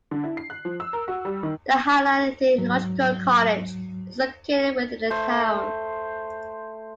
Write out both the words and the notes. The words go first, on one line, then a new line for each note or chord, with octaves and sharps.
The Highland Theological College is located within the town.
D3
E4
C7
F#6
F3
E6
A#4
F#4
G3
D#3
G#2 F#3
A3 C5